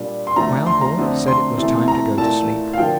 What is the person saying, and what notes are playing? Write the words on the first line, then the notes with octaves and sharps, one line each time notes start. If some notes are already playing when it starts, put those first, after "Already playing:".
My uncle said it was time to go to sleep.
Already playing: A#2 G3 D4
C6
D3 F3 A3 A#5
C6
A#5
F2 D3 A3 C4
C6
C3 E3 A3
A#5
A#2 A3 E4 A5
F5
D3 F3 A#3 G5